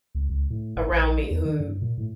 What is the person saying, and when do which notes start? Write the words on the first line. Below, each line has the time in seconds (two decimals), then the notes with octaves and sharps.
around me who
0.15 C#2
0.29 C#2
0.50 A2
0.76 G1
0.89 A#1
1.31 E2
1.45 D#3
1.60 G2
1.82 A#2
1.98 A2